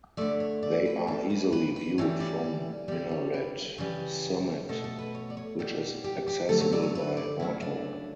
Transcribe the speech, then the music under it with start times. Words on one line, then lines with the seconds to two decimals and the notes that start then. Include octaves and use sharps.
They are easily viewed from Minaret Summit, which is accessible by auto.
0.17 D3 A3 D5
0.40 C#5
0.63 D5
0.86 B4
1.07 C#3 G3 A4
1.30 B4
1.52 B4
1.76 B4
1.98 A2 E3 G3 C#5
2.20 D5
2.88 D3 G3 D5
3.11 C#5
3.34 B4
3.78 C#3 E3 G3
4.69 B2 A3 A4
4.84 A4
4.99 B4
5.15 C#5
5.30 D5
5.37 C#5
5.59 B2 G3 A4
6.04 G4
6.28 G4
6.49 D3 F#3 A3 A4
6.61 C#5
6.73 D5
6.83 C#5
6.95 B4
7.17 D5
7.40 C#3 F#3 A3 E4
7.62 D4